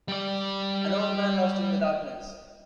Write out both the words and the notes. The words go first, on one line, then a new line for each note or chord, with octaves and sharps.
An old man lost in the darkness.
G3 D5